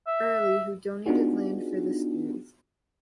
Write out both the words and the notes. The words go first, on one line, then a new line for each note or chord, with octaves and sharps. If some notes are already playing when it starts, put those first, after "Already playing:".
Early, who donated land for the schools.
E5
B3 D4 D#4 F4 F#4 G#4